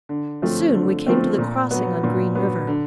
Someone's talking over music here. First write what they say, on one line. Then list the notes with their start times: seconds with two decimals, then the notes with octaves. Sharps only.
Soon we came to the crossing on Green River.
0.09 D3
0.42 F3 A3 C4
0.74 D3
1.06 F3 A3 C4
1.38 A#2
1.71 F#3 B3
2.03 A#2
2.35 F#3 B3
2.67 D3